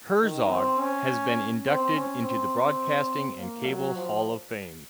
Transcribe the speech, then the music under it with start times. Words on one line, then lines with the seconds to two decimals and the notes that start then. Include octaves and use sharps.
Herzog has been inducted into the Broadcasting and Cable Hall of Fame.
0.22 D#3
0.50 C4
0.80 C#4
1.66 C4
1.95 C#4
2.23 C4
3.38 A#3
3.66 F#3
3.95 F3